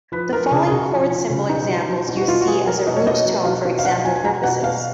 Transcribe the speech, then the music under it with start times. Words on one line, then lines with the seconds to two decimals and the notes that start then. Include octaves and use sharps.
The following chord symbol examples use C as a root tone for example purposes.
0.12 F3 B4
0.32 F3 A#4
0.51 C#3 G#4
0.66 G#4
0.71 C#3 F#4
0.91 F3
1.11 F3
1.30 C#3
1.49 B2 D#4
1.69 F#3
1.88 F#3
2.08 B2
2.17 F#4
2.28 B2 F4
2.41 F#4
2.47 F#3 G#4
2.67 F#3 A#4
2.87 B2 D#5
2.97 C#5
3.07 B2 D#5
3.25 F#3
3.45 F#3 F5
3.65 B2
3.79 F5
3.85 B2 F#5
4.05 F#3 G#5
4.16 G#5
4.24 F#3 A#5
4.43 B2 F#5
4.63 B2 F5